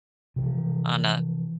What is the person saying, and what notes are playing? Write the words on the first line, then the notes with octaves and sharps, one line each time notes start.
on a
C3 E3 F3